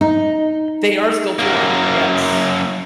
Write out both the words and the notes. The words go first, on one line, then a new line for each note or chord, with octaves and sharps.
They are still touring, yes.
D#4
F#2 A#3